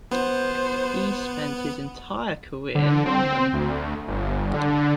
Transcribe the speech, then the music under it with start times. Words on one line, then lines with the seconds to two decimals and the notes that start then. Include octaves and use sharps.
He spent his entire career in London.
0.11 B3 C5
2.75 D3
3.06 C4
3.54 D2
4.08 G1
4.54 D3